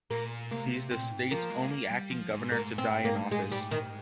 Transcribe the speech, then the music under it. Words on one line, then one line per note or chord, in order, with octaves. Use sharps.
He is the state's only acting governor to die in office.
A#2 A#3
C3 A#3
A#2 C4
G#2
F3 A#3
G#3
A#3
G3
F3
G#2
A#3
C4
A#3
G#3
G3
D#3